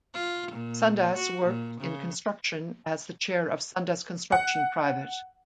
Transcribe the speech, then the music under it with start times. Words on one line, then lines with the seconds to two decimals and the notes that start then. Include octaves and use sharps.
Sundas worked in construction as the chair of Sundas Construction Pvt.
0.14 F4
0.51 A#2
1.15 F#4
1.45 A#2
1.81 C#3
4.32 F#5